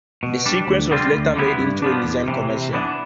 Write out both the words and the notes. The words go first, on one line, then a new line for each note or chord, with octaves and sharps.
The sequence was later made into a Nissan commercial.
B2
G3 D4
D2
D3 G3 C4 F4
D2
D3 G3 B3 E4
G2
F3 B3 D4
E2
C3 E3
C3
E3 B3 D4